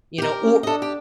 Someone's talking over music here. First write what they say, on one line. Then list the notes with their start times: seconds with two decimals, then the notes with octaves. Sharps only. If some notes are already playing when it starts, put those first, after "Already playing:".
you know or
0.18 G4 A#4
0.43 C#4
0.63 D4 A4 D#5
0.82 G4